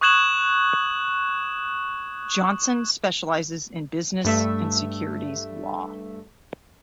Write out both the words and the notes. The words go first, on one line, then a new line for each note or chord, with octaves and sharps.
Johnson specializes in Business and Securities law.
C#6 D#6 F#6 G#6 E7 F#7
G2 A3 E5